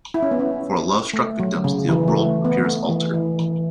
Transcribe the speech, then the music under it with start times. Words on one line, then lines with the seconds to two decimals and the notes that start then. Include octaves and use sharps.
For love-struck victims, the world appears altered.
0.14 E4
0.23 C#4
0.31 B3
0.39 C#4
1.13 A3
1.40 F#3
1.64 C#3
1.89 E3
2.08 A3
2.45 B3
2.58 B3
2.64 A3
2.89 E3
3.14 E3
3.39 E3